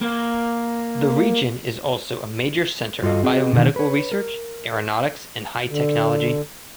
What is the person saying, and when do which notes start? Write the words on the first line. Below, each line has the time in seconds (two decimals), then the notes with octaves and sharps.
The region is also a major center of biomedical research, aeronautics, and high technology.
0.01 A#3
3.03 G2 F4 F#4 A4 D#5 F5
3.23 C4 F#4 G#4 B4 D#5
3.53 B2 D3 D#3
3.76 B4 C#5
4.12 A#4
5.69 D3